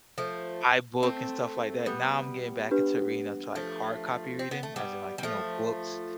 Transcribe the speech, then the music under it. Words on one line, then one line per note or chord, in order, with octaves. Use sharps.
iBook and stuff like that, now I'm getting back into reading into, like, hard copy reading, as in, like, you know, books
F3 A3
A3 C4
G3 B3
D4 G4 B4
F3 A3
C4
B3
A3
G3 B3
G3
F3 A3